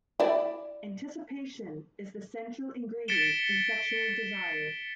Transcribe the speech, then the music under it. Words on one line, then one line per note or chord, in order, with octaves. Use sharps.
Anticipation is the central ingredient in sexual desire.
E4 D5
A6 B6 C#7 D7 E7 G7